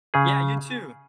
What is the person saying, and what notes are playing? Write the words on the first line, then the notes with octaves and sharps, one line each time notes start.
Yeah, you too.
C#3 G#4